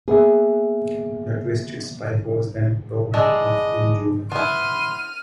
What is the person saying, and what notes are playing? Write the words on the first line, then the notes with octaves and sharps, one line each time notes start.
The twisted spike was then topped off in June.
A#3 B3 G#4 E5
G#3 D4 E4 D#5
B3 E4 C6 F6 D#7